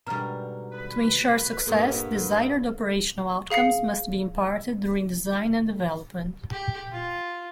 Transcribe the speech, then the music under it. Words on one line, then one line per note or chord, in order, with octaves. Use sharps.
To ensure success, desired operational outcomes must be imparted during design and development.
G#2 B2 D3 G3 A#4 A#5 F6
B4
G2 A#3 B3 A4 A#4
G#4 F5 C7 C#7
G4
F4